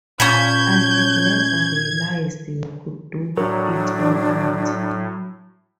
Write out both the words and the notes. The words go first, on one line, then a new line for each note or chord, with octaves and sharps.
I had never realized you could do it in art.
A#2 C#4 A5 B5 G6 G#6
A2 F#3 D4 A#4